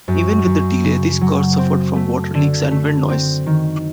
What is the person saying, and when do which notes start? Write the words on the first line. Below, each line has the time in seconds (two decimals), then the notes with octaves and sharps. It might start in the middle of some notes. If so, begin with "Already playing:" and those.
Even with the delay, these cars suffered from water leaks and wind noise.
0.08 F#2
0.46 F#2
0.84 C#3
1.21 F#3
1.58 C4
1.96 A3
2.35 D3
2.71 A3
3.10 C4
3.46 D#3